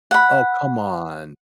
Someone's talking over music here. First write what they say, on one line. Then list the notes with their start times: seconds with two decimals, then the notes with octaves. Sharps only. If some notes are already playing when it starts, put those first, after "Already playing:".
Oh, come on.
0.11 F#5 B5